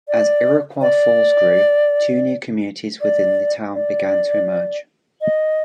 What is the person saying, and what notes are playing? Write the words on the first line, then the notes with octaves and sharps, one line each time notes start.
As Iroquois Falls grew, two new communities within the town began to emerge.
D5
D5
D5
D5
D#5